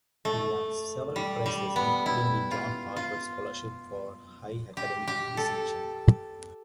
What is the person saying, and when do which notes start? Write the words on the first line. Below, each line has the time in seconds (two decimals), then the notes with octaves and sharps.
He won several prizes, including the John Harvard scholarship for high academic distinction.
0.25 A3
1.16 G3
1.46 G3
1.76 B3
2.06 E4
2.51 F4
2.96 F4
4.77 G4
5.07 G4
5.37 A4